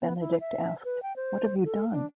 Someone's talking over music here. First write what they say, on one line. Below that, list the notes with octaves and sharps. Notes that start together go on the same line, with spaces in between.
Benedict asked, What have you done?
B3
E4
E5
B4
G5
C5
A4
D4